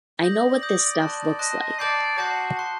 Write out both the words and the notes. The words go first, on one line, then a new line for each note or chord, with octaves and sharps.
I know what this stuff looks like.
D5 D#6 G6 A#6 F#7
D#6 G6 A#6 F#7
A5 C6 F#6
D#5 A5 C6 F#6
D5 A5 D6 G6 C7
F#4 A5 D6 G6 C7
A5 C6 F#6